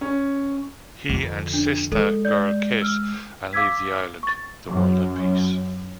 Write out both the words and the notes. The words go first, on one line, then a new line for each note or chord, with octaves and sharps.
He and Sistah Girl kiss and leave the island, the world at peace.
C#4
F2 D3
D4
G#3 A4
D5 G6
E6 F6
F5 D6 E6 G#6 B6
C#6 A6
F#2